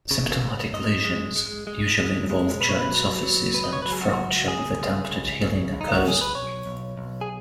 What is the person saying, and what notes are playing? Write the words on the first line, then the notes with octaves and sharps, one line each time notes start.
Symptomatic lesions usually involve joint surfaces, and fracture with attempted healing occurs.
C#3
C#2
G#2 D#5
G#3
G#3
G#3
G#3
G#3
B2 B4
C#5
B4
F#3
F#3
C#2 B4
D#5
C#5
F#3 B4
G#4
F#4
C#2
C#2 G#4
C#2
C#2
C#3
C#2
D#4
F#4
C#2 G#4
B4
B1 C#5
B1
B1
G#4